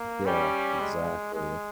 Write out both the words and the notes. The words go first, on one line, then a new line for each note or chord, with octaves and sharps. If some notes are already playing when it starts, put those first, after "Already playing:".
Yeah, exactly.
Already playing: A#3
G3 C#4
G#3
G#3